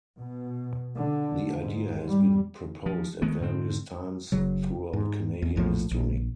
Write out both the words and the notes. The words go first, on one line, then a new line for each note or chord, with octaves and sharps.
The idea has been proposed at various times throughout Canadian history.
B2
D3
G#2
G3
F3
D#3 G#3 A3 B3
G#2 D3 C4
F#1 C#3 F#3
G#2
E2
A#1 A2 D#3 F3
A#1